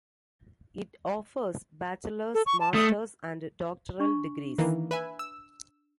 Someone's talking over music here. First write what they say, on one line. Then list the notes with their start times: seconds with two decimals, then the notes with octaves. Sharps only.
It offers Bachelors, Masters, and Doctoral degrees.
2.34 A4
2.46 C#6
2.60 A5
2.74 A3 D#6
4.00 D4 C#6
4.58 D#3 E3 A#3
4.91 B4 E5 G#5
5.19 E6